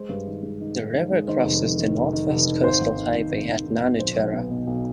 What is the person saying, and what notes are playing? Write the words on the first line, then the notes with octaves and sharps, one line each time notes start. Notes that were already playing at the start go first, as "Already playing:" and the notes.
The river crosses the North West Coastal Highway at Nanutarra.
Already playing: G#3 C5
G2
D#3
G#3
D#3
D#3
D#3
G#3
D#3 C5
F1
F1
D#3
F1
D#3
F1
D#3
G#1 C5
G#1
D#3
G#1
G#1
G#1
D#3
G#1
B1 C5
B1
B3
B2
B1